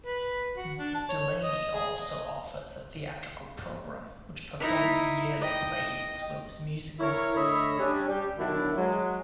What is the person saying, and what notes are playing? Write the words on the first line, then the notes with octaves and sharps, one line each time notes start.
Dulaney also offers a theatrical program, which performs yearly plays as well as musicals.
B4
F#4
D4
A5
C#5
D#5
G#4
D#5
D#4 E4
D#5 G5
E4 A#4 C#5
D3 A3 C#5 D#5 E5 B5
G3 C#4 D4
G3 G4
B2 D3 D#3 F#3 D4 E4
F#3 G#3